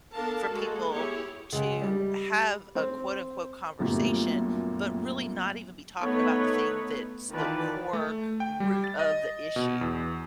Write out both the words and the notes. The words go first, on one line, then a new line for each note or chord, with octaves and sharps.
for people to have a, quote-unquote, "conversation," but really not even be talking about the thing that's the core root of the issue.
B3 D4 A4 A#4 F5 A5
G#3 A#3 F#4 A4
B3 E4 G4 G#4 C#5
C#2
G3
C4
G1 F#2 A#2 A3 G4
A3 B3 D#4 B4 C#5
D#3 E3 F4 B4 D5 A5
A3
G5
G3
A6
D#5
B2
E2